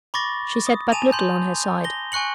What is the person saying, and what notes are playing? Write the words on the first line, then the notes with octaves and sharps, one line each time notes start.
She said but little on her side.
B5 C#6 D6 A6 A#6
D#6
G#5 A5 D#7 F7
C6 G6
A#6 G7
G#5 C#6 F#6 C#7 F#7